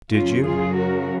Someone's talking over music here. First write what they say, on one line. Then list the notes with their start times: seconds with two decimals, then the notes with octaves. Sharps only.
"Did you?"
0.12 F#2 C#3 C#4 F4
0.42 F4 G#4
0.73 F#4 A#4